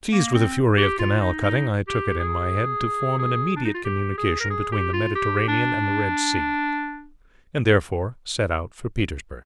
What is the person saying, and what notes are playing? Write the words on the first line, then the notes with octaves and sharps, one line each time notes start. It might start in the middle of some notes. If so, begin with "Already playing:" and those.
Seized with a fury of canal-cutting, I took it in my head to form an immediate communication between the Mediterranean and the Red Sea, and therefore set out for Petersburgh.
A#3
C4
G4
F4
D#4
D#4
G4
G#4
G#4
D4
D#4
F4
G4
G#4
A#4
G#4
G4
F4
G4
D4